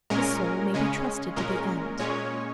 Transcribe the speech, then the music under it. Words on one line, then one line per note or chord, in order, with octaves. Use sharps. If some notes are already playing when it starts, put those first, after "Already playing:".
The soul may be trusted to the end.
A#2 G#3 C#4 A#4
C#3 G#3 C#4
A#2 G#3 C#4 A#4
A#2 G#3 C#4 C#5